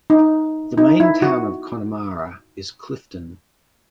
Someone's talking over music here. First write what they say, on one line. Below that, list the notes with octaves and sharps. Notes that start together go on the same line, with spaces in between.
The main town of Connemara is Clifden.
D#4
D#4
E4
F#4